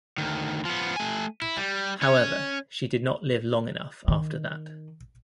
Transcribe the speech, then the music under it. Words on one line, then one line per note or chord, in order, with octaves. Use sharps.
However, she did not live long enough after that.
D2 D#3
F3 B3
A3 G#5
E4
G3
C#4 C#5
D#3